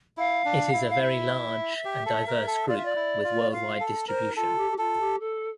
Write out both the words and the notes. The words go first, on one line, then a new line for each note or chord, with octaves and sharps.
It is a very large and diverse group with worldwide distribution.
E4 F5
D4
E4
F5
E5
G4
A4
A#4
A4
F4 D5
E5
D5
E4
F4
F4 F5
A4
A#4 C5
E4
F4 A4
G4
G4
F4 A4
G4
A4